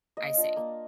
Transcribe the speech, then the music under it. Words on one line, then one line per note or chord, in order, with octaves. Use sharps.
I see.
A#3 D#5
D4 F4
A#3